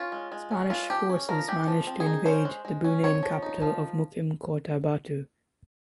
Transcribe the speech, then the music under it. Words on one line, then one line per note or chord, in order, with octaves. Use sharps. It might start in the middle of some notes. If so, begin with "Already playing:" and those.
Spanish forces managed to invade the Bruneian capital of Mukim Kota Batu.
Already playing: C#4 F4
G#3
G#3
C#4
G#3 F4
F3 G4
C#4
F3 A#4
G#3 G4
F3
C4
G#4
D#4
C#4 C5
G#3
G#3
C#4
C4 C#5
F3
D#4
F3